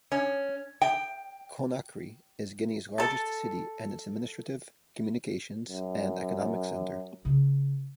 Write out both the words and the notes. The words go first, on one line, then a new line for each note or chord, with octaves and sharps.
Conakry is Guinea's largest city and its administrative, communications, and economic centre.
C#4
G5
A4 A5
F#2
C#3 D#4